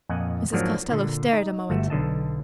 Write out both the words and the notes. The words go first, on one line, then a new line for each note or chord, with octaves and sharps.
Mrs. Costello stared a moment.
F2 A#2 D#5 F#5 G#5
G#2 F3 F#3 A#3 D4
A#2 D3
D#4
G1 A3 F#4 E5
B1 D3 D#5 A5